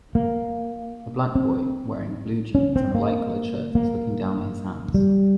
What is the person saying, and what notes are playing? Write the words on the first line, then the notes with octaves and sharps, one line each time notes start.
A black boy wearing blue jeans and a light colored shirt is looking down at his hands.
A#3
C4
C#4
C4
A#3
A#3
G3